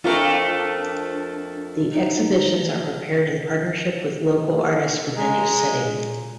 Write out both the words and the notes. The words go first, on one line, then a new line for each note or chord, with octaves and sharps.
The exhibitions are prepared in partnership with local artists within each city.
F2 A3 D4 F4 A#4
D#4
G#3 A#5
A#2